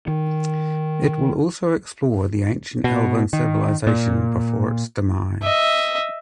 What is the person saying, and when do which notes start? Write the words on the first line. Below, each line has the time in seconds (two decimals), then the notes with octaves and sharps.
It will also explore the ancient Elven civilisation before its demise.
0.08 D#3
2.84 B2
3.33 D#3
3.87 A#2
5.42 D#5 E5